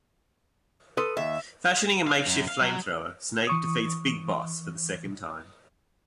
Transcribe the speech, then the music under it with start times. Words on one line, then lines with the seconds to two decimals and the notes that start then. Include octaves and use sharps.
Fashioning a makeshift flamethrower, Snake defeats Big Boss for the second time.
0.97 A4 B4 C6 D#6
1.17 D#2 E5
2.07 F5
2.27 F#2
2.48 F5
2.61 F#3
3.47 E3 C#6 D#6